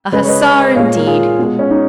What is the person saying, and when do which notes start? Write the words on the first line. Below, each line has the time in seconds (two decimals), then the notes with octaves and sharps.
A hussar indeed!
0.12 C#3 G#3 B4 D#5
0.23 C#5
0.28 B4 D#5
0.75 A#2 G#3 C#5 F5
0.96 A#4
1.07 F4 G#4
1.39 B2 G#3
1.59 C#4
1.70 D#4